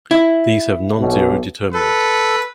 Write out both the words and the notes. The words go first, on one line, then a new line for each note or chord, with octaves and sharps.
These have nonzero determinant.
E4
B1 B2
A4 B4